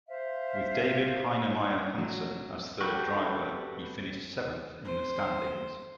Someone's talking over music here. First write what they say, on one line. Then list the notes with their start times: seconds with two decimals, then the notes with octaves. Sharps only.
With David Heinemeier Hansson as third driver, he finished seventh in the standings.
0.06 C5 E5 F5
1.98 F#3
2.81 F#4 G4 A4 B4 G5
4.84 C5